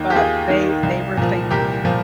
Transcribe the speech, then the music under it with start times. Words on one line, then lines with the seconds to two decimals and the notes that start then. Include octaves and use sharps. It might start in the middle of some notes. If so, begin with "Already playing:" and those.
But they they were thinking
Already playing: D#2 D#3
0.10 G4
0.15 D#2 F4 G#4
0.50 D#3
0.83 C2
1.17 A#2 F3
1.51 C2 G4 A#4
1.85 A#2 F3